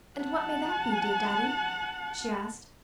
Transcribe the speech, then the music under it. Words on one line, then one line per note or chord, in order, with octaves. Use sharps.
"And what may that be, dear Daddy?" she asked.
F#5 A5